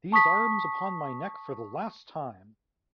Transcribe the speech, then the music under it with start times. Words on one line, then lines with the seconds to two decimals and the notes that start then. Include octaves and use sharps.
These arms upon my neck for the last time!
0.12 A5 C#6 D#6 B6